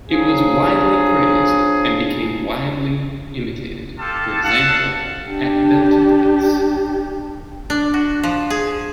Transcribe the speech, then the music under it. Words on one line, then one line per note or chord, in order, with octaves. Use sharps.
It was widely praised, and became widely imitated, for example at Belton House.
F3 F#3 D4 G#4
F4 G4 A4 A5
A4 F5 F#5 A5
D4 G4
D4
F#4
F3
G#4